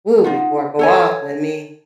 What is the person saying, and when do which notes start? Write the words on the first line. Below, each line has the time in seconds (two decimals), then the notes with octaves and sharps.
"Ooh, before I go off, let me
0.24 D#4 F4 F#5
0.79 A4 C#5 G#5